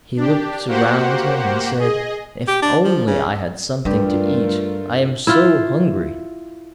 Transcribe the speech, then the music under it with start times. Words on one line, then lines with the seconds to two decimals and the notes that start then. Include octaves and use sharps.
He looked around him and said: 'If only I had something to eat; I am so hungry.
0.17 D4 G4
0.68 A#3 F#4 G4 C5 F#5
1.79 G#4 D#5
2.48 G4
2.63 D4
2.84 F3
3.07 C#3
3.85 G2 G3 A3 F4 G4 A#4
5.27 E4 F4